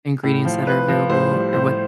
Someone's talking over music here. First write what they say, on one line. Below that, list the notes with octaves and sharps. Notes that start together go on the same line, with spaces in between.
ingredients that are available or what
A2
F3
A2 B4
F3
A2 C5
G3
A2 C5